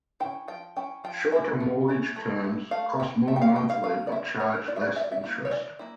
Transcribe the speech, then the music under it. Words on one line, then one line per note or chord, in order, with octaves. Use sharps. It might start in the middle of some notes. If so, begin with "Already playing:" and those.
Shorter mortgage terms cost more monthly but charge less interest.
C#4 E4 G5
F3 G5
C#4 E4 G5
F3 G5
C#4 E4 E5
F3
C#4 E4
A3
E4
A3 F5
E4 G5
A3 E5
G5
F5
E4 G5
F5
A3 F5
D5
E4 E5
E3 C#5
A#4
A#3 E4 D5
E5
D5
E3 E5
D5
E5
A#3 E4
C#5
E3 D5
A#3 E4